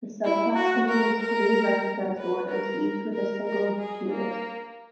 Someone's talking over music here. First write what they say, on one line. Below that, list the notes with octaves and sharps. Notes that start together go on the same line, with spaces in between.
The subclass contains three recognized orders, each with a single genus.
E4
F#4
A#4
A#4
B4
A#4
A#4
A#4
G#4
A#3